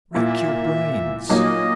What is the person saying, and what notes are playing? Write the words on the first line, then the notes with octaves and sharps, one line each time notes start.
Rack your brains!
A#2 A#3 E4 E5
A#2 F#3 A#3 D#4 D#5